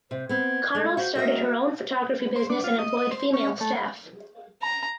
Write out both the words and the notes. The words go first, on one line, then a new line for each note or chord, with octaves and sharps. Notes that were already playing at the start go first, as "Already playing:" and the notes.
Connell started her own photography business and employed female staff.
C3 C5
B3 C4 G#6
G#3 A3
F#4 C5
F#4 A#4 D#5 E5
C5
D4
F4
D#5
D#5
C5
C#4
A3
A#5